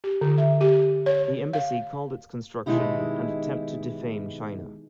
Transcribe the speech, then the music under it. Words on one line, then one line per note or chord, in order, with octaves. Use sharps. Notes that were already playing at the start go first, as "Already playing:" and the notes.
The embassy called its construction an attempt to defame China.
G4
D3
E5
G4
C#5
F5
B2 D#3 G#3 D#4 E4 G4